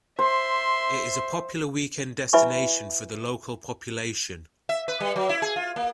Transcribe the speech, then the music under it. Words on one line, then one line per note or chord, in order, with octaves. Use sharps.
It is a popular weekend destination for the local population.
C5 E5 C6
E4 B4 E5 G#5 B5 C#6
E5
B4
G3
F#3
E4
G#4
F4
A#3